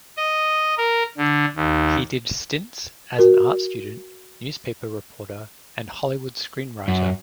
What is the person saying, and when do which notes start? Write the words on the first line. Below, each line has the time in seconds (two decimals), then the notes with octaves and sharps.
He did stints as an art student, newspaper reporter and Hollywood screenwriter.
0.17 D#5
0.78 A#4
1.18 D3
1.56 D#2
3.19 F#4 A#4
6.88 F#2